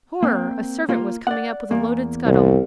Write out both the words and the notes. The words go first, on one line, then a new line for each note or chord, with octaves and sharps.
Horror! a servant was coming up with a loaded scuttle.
A#3 C4
A#3 F4
D5 F#5
E2 A#3
C2